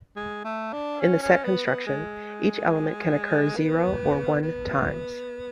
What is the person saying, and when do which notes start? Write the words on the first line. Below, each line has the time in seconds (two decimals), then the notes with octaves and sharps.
In the set construction, each element can occur zero or one times.
0.16 G#3
0.45 A3
0.73 D4
1.01 C#4
1.22 C#4
1.44 B3
1.65 B3
1.87 G#3
3.57 B3
4.42 B3